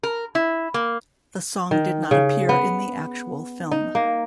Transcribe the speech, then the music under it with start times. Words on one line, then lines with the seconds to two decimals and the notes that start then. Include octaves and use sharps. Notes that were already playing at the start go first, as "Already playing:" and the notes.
The song did not appear in the actual film.
0.03 A#4
0.35 E4
0.74 A#3
1.71 D#3
2.11 C#3
2.49 B3
3.71 D#4
3.95 A#3